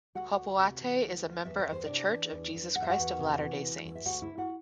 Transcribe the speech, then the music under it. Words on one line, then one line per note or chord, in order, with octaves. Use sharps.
Hopoate is a member of The Church of Jesus Christ of Latter-day Saints.
D2 F#4 F#5
D2
C3
E3
D2
D2
E2 E5
D5
E2
C5
C3 D4 D5
E3
E2
E2
E2 F#5
E5
F#4 F#5
E2
C3
E3
E2
E2
E5
D2 F#4 F#5
E4 E5
D3
F#4 F#5